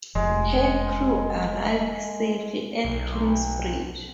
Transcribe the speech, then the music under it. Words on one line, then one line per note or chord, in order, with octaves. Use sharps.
Her crew arrived safely at Kingsbridge.
F1 G#3
B1